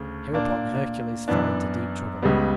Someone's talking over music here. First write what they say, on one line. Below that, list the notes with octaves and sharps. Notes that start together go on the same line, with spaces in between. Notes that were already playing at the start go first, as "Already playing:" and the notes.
Hereupon Hercules fell into deep trouble.
Already playing: D2 C#3
A#2 A#3 D4
F#2 E3 B3 D4
C#2 C#3 G3 B3